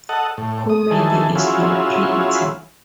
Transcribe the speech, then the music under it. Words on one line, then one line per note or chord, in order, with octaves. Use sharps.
Comedy Is Not Pretty!
A4 D#5 F#5
A2
D#6
D#3 E3 G#4 A4
F#3 C#4 E4 F4 G#4